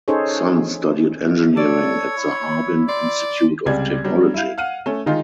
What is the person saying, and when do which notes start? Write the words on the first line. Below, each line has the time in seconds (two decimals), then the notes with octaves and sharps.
Sun studied engineering at the Harbin Institute of Technology.
0.08 C#4 D#4 G#4 A4 C5 C#5
1.57 A4 C#5 D5
2.17 E4
2.88 D5 C6
3.66 C#2 C3 G3 G#3 D5 G#6
4.04 F#3 G3 D4
4.34 E4 F5
4.58 F5 F#5 F6 D#7
4.86 A3 C#4
5.06 D#3 G#3 D#4 F4